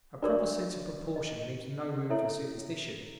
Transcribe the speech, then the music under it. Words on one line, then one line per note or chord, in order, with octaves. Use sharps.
A proper sense of proportion leaves no room for superstition.
D4 F#4 A#4 C#5 D5
D#5
C#4 E4 A4 C#5 E5